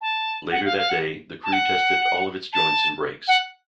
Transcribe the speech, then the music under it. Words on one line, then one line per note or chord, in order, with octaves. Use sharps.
Later that day, the crew tested all of its joints and brakes.
A5
F#5
F5
F5
F#5
A5
F#5
A5
F#5